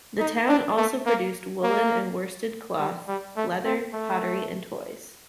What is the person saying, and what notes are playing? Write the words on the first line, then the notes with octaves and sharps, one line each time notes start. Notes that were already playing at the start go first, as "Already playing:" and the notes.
The town also produced woolen and worsted cloth, leather, pottery, and toys.
D#4
D4
A3
A#3
A#3
G3
G3
A3
C4
A3